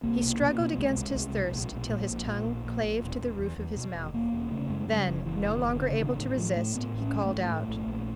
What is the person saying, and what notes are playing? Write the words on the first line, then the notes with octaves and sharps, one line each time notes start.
He struggled against his thirst till his tongue clave to the roof of his mouth; then, no longer able to resist, he called out.
C2 A#3
B2
B2
B2
G3
C2 G#3
C2
C2
B2
A#1
A#1
A#2
A#1
A#2
A#1
A#2
A#1
E1
E1
E2
E2
B2
E1
E1 A#3
E1
C#3 A3
F#2 G#3
C#3 G3
F#1
F#1 E3
F#1
D#3
F#1
D3
C#3
A1 D#3
A2 D#3
A2 F3
A2 A3
A2 B3
A1
C#4
A1
A3
A2
G#2 A3
A#1
A#1